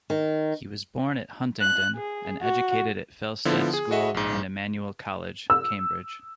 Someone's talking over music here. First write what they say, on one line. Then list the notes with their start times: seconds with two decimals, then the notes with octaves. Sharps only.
He was born at Huntingdon and educated at Felsted School and Emmanuel College, Cambridge.
0.10 D#3
1.61 F#6
1.96 G#4
2.42 F#4
3.45 D3 F3 B3 E4 F4
3.74 G#4
3.91 F#4 G#4 D#5 E5 F#5
4.14 A#1 G#2
5.50 E6